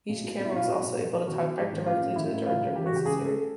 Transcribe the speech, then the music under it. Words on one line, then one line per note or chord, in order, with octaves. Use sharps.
Each camera was also able to talkback directly to the director if necessary.
B1
B2
B2
E4
B2 F4
B2 F#4
B2
B2
B2
D#3 F#4
D#3
G#2 G4
D#3
A1 F4
A1
D#3 E4
A1
C#3 F4
C#2
E3 G4
C#3 F#4
G4
C#2 G#4
C#2 A4